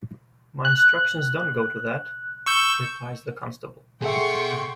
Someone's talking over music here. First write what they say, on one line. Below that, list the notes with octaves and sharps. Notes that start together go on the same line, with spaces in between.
"My instructions don't go to that," replies the constable.
F#6
C#6 E6 G6
B2 G#4 A4 E5 F#5 G5 C6 C#6